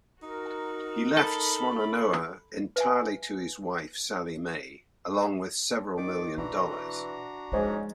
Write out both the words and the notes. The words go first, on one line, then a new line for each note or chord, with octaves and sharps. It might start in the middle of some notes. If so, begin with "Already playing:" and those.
He left Swannanoa entirely to his wife, Sally Mae, along with several million dollars.
D#4 F#4 A#4
A4 B5
B4 E5 G#5
D#3 D5 D6
B2 E3 D4 F#4 A#5
G#2 F3 G#3 C#4